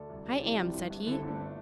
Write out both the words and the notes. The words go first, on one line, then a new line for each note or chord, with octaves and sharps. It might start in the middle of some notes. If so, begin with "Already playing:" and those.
"I am," said he.
Already playing: D2 A4 D5
C2
C3
D5
E3 G4 C5
C2
G1
G2
D3 E4 A4
C4 E4
G1
A3 D4